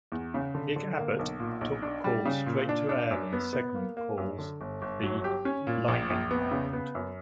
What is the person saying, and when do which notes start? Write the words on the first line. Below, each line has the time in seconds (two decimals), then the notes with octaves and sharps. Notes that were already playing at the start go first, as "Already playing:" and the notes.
Nick Abbot took calls straight to air in a segment calls the "Lightning Round".
0.12 E2
0.34 C#3
0.55 D3
0.76 D3
0.97 A#3
1.19 B1
1.40 A#2
1.61 B1
1.82 D4
2.04 G3
2.25 C#3
2.46 A#2
2.69 D4
2.89 D4
3.11 F#2
3.33 B3
3.53 B3
3.75 A#3
3.97 A#3
4.18 F#2
4.39 D3
4.61 G1
4.82 G1
5.03 F#3
5.24 G4
5.45 C#4
5.67 A#2
5.88 A#1
6.10 A#1
6.31 B3
6.51 C#3
6.73 B3
6.95 F#2